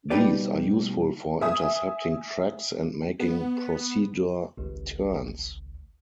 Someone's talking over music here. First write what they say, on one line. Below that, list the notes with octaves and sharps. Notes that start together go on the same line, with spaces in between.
These are useful for intercepting tracks and making procedure turns.
B2 G3 D#4 G4 B4 D5
E5 G#5 D#6
B3
G#1 C#2